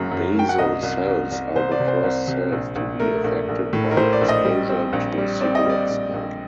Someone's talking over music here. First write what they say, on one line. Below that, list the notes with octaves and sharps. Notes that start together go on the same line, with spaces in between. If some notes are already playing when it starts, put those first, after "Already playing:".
Basal cells are the first cells to be affected by exposure to cigarette smoke.
Already playing: F#1 F#2 F#3
F#2
F#2 G5
F#5
C2 D#5
C2
C2
C2
C2 C5
D5
C3
C5
C2
C3
A#1
A#1
A3 A#4
A#1
A#1
A2
A#4
A2 C5
D5
A#1
D#5
G3
C4
A#1
G3
C4 D5
D#5
G3 D5
A#1
A#1